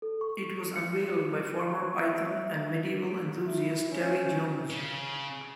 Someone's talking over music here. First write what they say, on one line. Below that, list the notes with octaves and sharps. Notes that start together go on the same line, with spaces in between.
It was unveiled by former Python and medieval enthusiast Terry Jones.
A4
C#6
C#7
C#6
E5
E5
E4
C#4
C#3